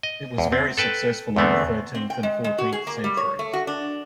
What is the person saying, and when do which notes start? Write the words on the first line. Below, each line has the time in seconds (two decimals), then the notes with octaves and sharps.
It was very successful in the thirteenth and fourteenth centuries.
0.03 D#5
0.38 E2
0.52 C4
0.78 A4 B4 G5 A5
1.36 E2 D3 A3 B3 C4
1.95 C4
2.10 G5
2.23 G#3
2.44 G#3
2.58 F#4
2.73 G#4
2.87 A#3
3.04 G3
3.17 C#5
3.39 A3
3.53 F#4
3.67 D4